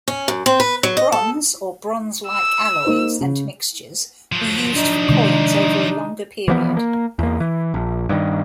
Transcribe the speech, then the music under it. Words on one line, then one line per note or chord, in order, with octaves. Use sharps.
Bronze, or bronze-like alloys and mixtures, were used for coins over a longer period.
C#4
F#2
C4
B4
F#3
D#5
A4
E6
A#3 D#4 C5
C#3
F3 F#3
D4 D#4
C3 D#3 G#3
E3 F3 B3
A#3
E2 A#3
E3
A#1
G2 D#3